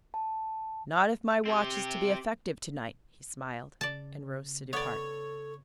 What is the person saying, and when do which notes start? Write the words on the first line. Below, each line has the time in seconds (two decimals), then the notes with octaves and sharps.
"Not if my watch is to be effective to-night," he smiled, and rose to depart.
0.14 A5
1.45 C4 G4
3.81 C#3 D5 A5
4.73 B3 A4 C#5 D5